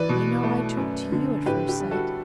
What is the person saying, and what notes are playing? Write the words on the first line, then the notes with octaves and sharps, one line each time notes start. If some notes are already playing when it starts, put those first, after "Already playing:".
I know I took to you at first sight!
Already playing: E3 B4 D5
B2
A3
F#2
D3
A2 G4 B4
G4
G3
F#4 A4